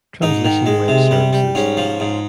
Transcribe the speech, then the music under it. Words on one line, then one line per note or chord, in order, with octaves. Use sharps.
Translation Web Services.
G#2 D#4
D#3
G#3
C3
G3
G3
G#2 C#4
F3
G#2